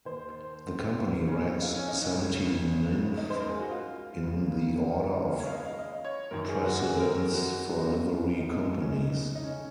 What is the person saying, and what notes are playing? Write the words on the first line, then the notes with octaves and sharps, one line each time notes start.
The Company ranks seventy-ninth in the order of precedence for Livery Companies.
D#2 D#3 C5
A#4
C#4
D#4
F4
C#4
D#4
C#4
C#2 C#3
D#4
C5
A#4
G#4
F#4
F4
C#2 C#3
D#4
F4
C#5
F5
D#5
F5
D#5
C#5
F#2 D#3 A#4
G#4
F#4
G#4
A#4
G#4
F#4
D#4
F4
F2 D#3 D#4
C#4
D#4
D#4
C#4